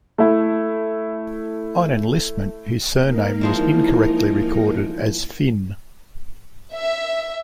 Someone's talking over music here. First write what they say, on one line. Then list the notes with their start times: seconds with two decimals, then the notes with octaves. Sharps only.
On enlistment his surname was incorrectly recorded as "Fynn".
0.18 A3 E4
3.01 A#3 D#4 A#4
3.41 E3 F3 G#3
6.73 E5